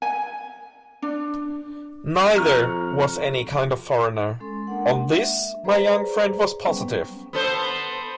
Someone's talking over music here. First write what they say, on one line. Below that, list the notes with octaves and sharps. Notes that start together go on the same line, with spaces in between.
Neither was any kind of foreigner; on this my young friend was positive.
G#5
D4
F2 A#5 C#6 F6
G#3 C#4 A4 C6
G#3 A#3 D4 A#4 F#5
E5
G#4 B4 C5 D5 A#5
F#3 G3 B3 C#4 G5 C#6
B3 A4 C5